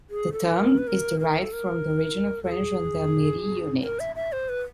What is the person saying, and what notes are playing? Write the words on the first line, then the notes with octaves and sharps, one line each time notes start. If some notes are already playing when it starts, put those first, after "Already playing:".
The term is derived from the original French Gendarmerie unit.
G#4
A4
A#4
B4
A#4
A#4
A4
A#4
A4
G#4
A#4
E5
E5
C5
B4